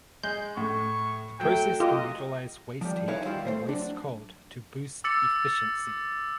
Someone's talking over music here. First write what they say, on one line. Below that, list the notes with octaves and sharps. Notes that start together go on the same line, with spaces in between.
The process can utilise waste heat and waste cold to boost efficiency.
G#3 G6
A2 C#6
F#3 A3 G5
F4 G4 D#5
F3 G3
D#4 E4 G#4 B4 C#5 F5
E2 G2 D#3 G3 E4 F4
A3 C5
F#3 D4
D6 E6 A6 C#7